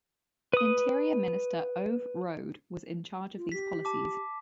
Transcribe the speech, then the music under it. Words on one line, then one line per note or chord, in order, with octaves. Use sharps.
Interior minister Ove Rode was in charge of these policies.
B4 D#6
F4
G4 B6
A5 D6